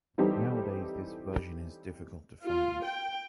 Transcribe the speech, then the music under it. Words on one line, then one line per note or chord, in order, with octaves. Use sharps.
Nowadays, this version is difficult to find.
E3 G3 C4 D#4 G4 A4
F4
G5